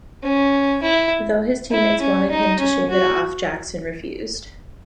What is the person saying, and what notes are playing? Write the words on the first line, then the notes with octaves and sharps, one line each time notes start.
Though his teammates wanted him to shave it off, Jackson refused.
C#4
E4
E4
C#4
D#4
C#4
F#4